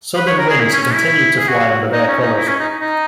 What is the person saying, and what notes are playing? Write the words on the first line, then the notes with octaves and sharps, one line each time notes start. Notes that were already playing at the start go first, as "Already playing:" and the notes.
Southern Winds continued to fly under their colours.
B4
C#5
A#4
G#4
E4
C#4
C#4
E4
G#4
F#4
D#4
C#4
D#4
E4
C#4
D#4
D#4